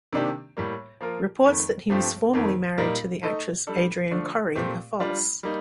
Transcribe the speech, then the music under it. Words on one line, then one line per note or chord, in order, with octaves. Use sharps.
Reports that he was formerly married to the actress Adrienne Corri are false.
C3 D#3 A#3 D4 G4
A2 G3 A#3
F3 A#3 F4 A#4
F2 D#3 A3
G2 F3 A3 C4 G4
F2 D#3 A#3
A#2 G3 A#3 D#4 A#4
A3 D#4 A4 D#5
G3 D4 A4
D3 F3 A3 D4 F4
A#2 A3 C4 G4
G3 D4 F4
G3 A#3 D#4